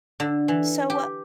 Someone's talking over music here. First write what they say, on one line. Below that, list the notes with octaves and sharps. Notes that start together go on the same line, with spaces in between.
So, uh
D3
E3
G4